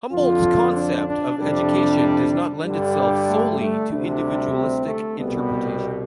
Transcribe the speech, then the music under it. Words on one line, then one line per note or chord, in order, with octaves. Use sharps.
Humboldt's concept of education does not lend itself solely to individualistic interpretation.
F2 D3 F3 F4
D4
D4
F2 C3 G3 D4
G2 D3 G3
A3
A3
D2 C3 G3 D4
C4
A3
C2 B2 G3 B3